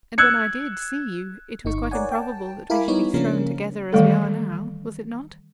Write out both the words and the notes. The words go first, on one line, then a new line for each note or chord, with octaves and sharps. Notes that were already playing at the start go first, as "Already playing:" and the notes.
And when I did see you, it was quite improbable that we should be thrown together as we are now,--was it not?
E6 F#6 G#6 C#7
G1 D#4 C#6
A#4 C#5 D5 F#5 G#5
G5 A5
E4 A#4 F5 G#5 B5 D6
G3 B3 D#4 E4 C#5
C#3 F3 A#3 C#4 D4 A#4
D#3 E3 G3 A3 A4